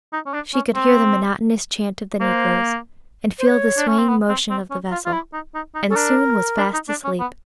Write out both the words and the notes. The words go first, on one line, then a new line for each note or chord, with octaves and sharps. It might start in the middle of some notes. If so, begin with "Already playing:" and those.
She could hear the monotonous chant of the negroes, and feel the swaying motion of the vessel, and soon was fast asleep.
D#4
C#4
D4
C#4
C4
A#3 C5
C5
C#5
D4
C#4
C4
B3
C4
C4
C#4
F4
F4
E4
D#4
D#4
D#4
C#4 A4
D4 A#4
D4
D#4
D4
C#4
B3